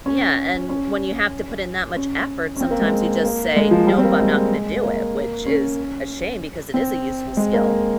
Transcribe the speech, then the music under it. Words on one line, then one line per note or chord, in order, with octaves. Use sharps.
Yeah, and when you have to put in that much effort, sometimes you just say, "Nope. I'm not gonna do it," which is a shame because it is a useful skill.
C#4
C#4
C#4
C#4
C4
A#3
G#3
A#3
G#3
F3
G3
C4
A#3
G#3
A#3
C#4
C4
G#3
A#3